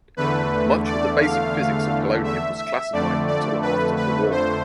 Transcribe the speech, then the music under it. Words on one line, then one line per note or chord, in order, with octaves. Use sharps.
Much of the basic physics of polonium was classified until after the war.
E2 D3 A3 B4
D5
F5
E5
E5
F2 D3 A3 D5
D5
B4
B4
C5